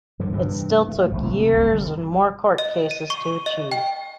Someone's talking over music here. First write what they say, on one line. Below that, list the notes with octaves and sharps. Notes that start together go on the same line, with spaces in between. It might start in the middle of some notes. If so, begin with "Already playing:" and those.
It still took years and more court cases to achieve.
G2 D3 E3 F3
G2 C3 E3
A3
F#1 B1 F3
C3 F#3 A#3
G1 C2
D#5
D#7
C#6
D#5
G5